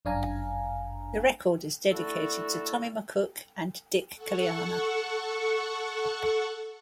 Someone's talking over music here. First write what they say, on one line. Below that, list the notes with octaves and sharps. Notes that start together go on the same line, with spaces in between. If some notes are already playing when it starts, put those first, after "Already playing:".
The record is dedicated to Tommy McCook and Dick Qualiana.
G1 F#2 D4 F5 G#5 A#5
D3 A3 E4 F#4 A4
A4 F#5 C#6